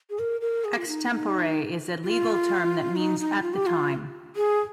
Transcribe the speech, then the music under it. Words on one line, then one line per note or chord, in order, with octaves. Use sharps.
"Ex tempore" is a legal term that means 'at the time'.
G#4
A#4
A#4
G#4
F4
D#4
D#4
F4
D#4
D#4
F4
G4
F4
G#4